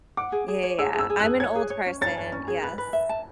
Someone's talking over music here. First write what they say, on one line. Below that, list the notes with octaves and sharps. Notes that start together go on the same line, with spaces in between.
Yeah, yeah, yeah. I'm an old person. Yes.
F#5 D6
G#4
G#4
C#5
G#4 E6
G#4
E6
G#4
G#4 F#6
C#5 G#6
G#4
C#5
C#4
C#5 A6
C#5
C#4
G#4
B4
B4
E5
A5